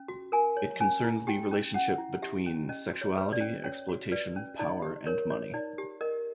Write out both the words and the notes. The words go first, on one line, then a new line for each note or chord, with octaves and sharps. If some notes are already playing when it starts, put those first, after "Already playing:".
It concerns the relationship between sexuality, exploitation, power and money.
Already playing: C#4
F#4
A#4 G#5
C#5
C#4 G#5
E4
G4 G5
C#4
C#4 F#5
E4
G4 E5
C#4
C#4 D#5
F#4
C#5
B4
D5
C#4
C#4 C#5
F#4
B4 D5
C#4
D#4 D5
G4
A#4 C#5
C#5
D#4 D5
G4
A#4 D#5